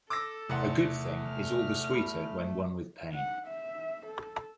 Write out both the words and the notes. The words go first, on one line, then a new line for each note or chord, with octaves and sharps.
A good thing is all the sweeter when won with pain.
A4 D6 E6 A#6
E2 C3 A3 F#5 C6
F6
B5
F#5
E5
A4